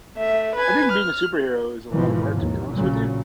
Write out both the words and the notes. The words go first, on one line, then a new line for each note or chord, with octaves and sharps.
I think being a superhero is a lotta work, to be honest with you.
A3 E5
B4 G#5
F6
G#1 B2 E3 F3
D#2
A#1 A#2 C#3 F#3